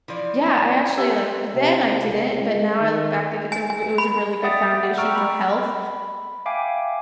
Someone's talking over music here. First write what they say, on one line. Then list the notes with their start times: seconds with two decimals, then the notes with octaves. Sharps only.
Yeah. I actually, like then I didn't, but now I look back, like, it's a r it was a really good foundation for health.
0.08 E3 F3 D5
0.46 G#5 A#5 C6
0.97 G4 E5 F#5 G#5
1.55 C3
2.06 C#2
2.42 G#3
2.80 D#3
3.52 G#5
3.70 G#5
3.98 B5
4.42 D5 E5 F#5 G5 D#6 A6
4.98 G5 A#5 C#6 E6 F6
5.16 B5
5.48 B5
6.46 E5 F5 G5 G#5 D6